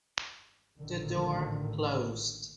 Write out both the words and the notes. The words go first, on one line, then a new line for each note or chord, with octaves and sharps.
The door closed.
A1 A#2 D3 D#3